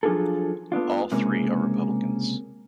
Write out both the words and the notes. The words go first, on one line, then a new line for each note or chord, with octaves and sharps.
All three are Republicans.
F3 F#3 D4 F4 G#4 A4
A3 B3 D4 F4
C#2 C3 G#3 A#3 C#4